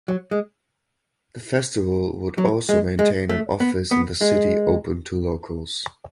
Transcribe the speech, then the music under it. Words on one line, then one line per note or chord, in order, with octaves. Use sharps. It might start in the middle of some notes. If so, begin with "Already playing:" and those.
The festival would also maintain an office in the city open to locals.
F#3
G#3
F#3
G#3
G#3
A3
B3
B3
G#3